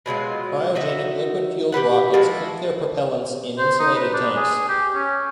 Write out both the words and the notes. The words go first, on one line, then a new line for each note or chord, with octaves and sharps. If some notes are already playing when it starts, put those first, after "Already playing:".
Cryogenic-liquid-fueled rockets keep their propellants in insulated tanks.
B2 F#3 G#3 F4
D#4 F#4 E5
G4 A4 B4 F#5
F3 G#3 E4 F#4
C5
D#4
B4
D4
G#4
G4
C#4